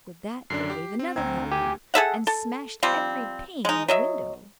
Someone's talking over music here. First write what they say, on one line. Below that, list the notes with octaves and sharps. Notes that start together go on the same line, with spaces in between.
With that they gave another halloo, and smashed every pane in the window.
F#2 D3 D4 C7
G4
C4
D2 C4 A#5 G#6
G4 G#5
G#4 A4 E5 F#5
A4
F3 G3 C4
G#3 D#4
F#3 D#5 E5